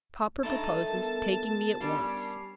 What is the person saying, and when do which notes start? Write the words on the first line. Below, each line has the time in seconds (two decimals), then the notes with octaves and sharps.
"Papa proposes taking me at once."
0.43 G2 A3 D#4 A5
0.89 B3 A#4
1.81 G3 C#4 D4 C7